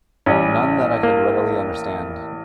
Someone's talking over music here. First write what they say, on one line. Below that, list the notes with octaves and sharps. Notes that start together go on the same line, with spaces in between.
None that I could readily understand!
A1 G3 C#4
A#3